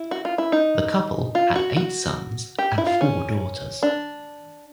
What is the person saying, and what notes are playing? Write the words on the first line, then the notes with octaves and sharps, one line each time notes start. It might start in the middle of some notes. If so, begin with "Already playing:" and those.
The couple had eight sons and four daughters.
Already playing: E4
F#4
F4
E4
D#4
F4
F#4
F#4
G4
E4
F4
C#4
D4